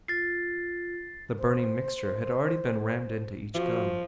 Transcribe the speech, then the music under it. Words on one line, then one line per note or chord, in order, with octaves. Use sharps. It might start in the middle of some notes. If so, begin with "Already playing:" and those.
The burning mixture had already been rammed into each gun.
F4 A6 C7
C5
F3 F#4